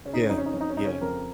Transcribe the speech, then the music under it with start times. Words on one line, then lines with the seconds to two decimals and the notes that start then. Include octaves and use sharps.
Yeah. Yeah.
0.05 C#3 C#4
0.13 D#4
0.21 C#4
0.29 F2 D#4
0.38 C#4
0.46 D#4
0.52 F2 C#4
0.61 D#4
0.69 C#4
0.77 C#3 D#4
0.85 C#4
1.01 F2 A#4